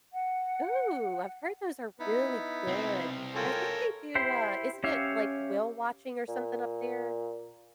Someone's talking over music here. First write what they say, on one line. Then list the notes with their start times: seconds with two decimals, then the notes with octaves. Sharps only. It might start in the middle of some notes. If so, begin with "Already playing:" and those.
Ooh, I've heard those are really good. I think they do, uh isn't it, like, whale watching or something up there?
0.12 F#5
2.00 B3 D#4 E4
2.67 C2 C4
3.36 F4 A4 A#4 C#5 G5 G#5
4.15 E4 G4 C5 C6
4.84 C#4 G4 C#5 E5 F5
6.28 A#2